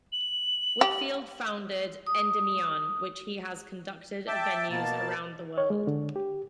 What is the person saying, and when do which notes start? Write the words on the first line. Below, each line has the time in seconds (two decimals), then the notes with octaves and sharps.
Whitfield founded Endymion, which he has conducted at venues around the world.
0.12 F#7
0.81 G4
2.07 D#6
4.28 E5 G5 A5 D6
4.69 B2 A#3 A5
5.58 C#5
5.70 G#3
5.87 D3
6.16 G4